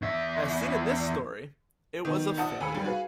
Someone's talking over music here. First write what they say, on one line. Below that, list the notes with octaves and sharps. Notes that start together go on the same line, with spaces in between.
As seen in this story, it was a failure.
E2 E5
D#3 B3 D#4
A#1 F#5 A5 D#6
D#2 G#5 B5 E6 C#7
G3 G#4
F#4 G#4 B4 F5